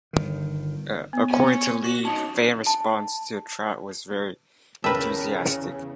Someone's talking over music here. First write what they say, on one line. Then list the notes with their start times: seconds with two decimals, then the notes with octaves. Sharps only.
According to Lee, fan response to the tryout was very enthusiastic.
0.13 G1 D#3
1.13 B3
1.30 C#5 G#5
1.84 F#4
2.05 C#4 D#4 A5
2.67 A5
4.84 E2 C#3 A#4 B4 E5 G5 A5